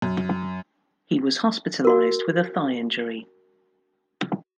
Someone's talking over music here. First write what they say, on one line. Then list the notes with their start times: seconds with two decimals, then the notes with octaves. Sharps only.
He was hospitalised with a thigh injury.
0.02 F#2
1.85 F#4 A#4